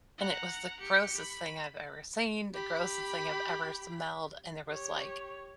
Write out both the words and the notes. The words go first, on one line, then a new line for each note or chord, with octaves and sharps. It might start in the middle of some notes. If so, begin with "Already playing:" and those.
and it was the grossest thing I've ever seen, the grossest thing I've ever smelled, and there was, like
F#5 A#5
G4 C#7
B5
G4 B5
G4 C#5